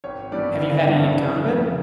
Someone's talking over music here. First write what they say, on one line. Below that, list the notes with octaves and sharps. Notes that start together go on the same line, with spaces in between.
"Have you had any account of it?"
G#1 C#5
G2 E3 G3 D5
G#1 E5
F5
E5
G2 E3 G3
F1
F2 C#3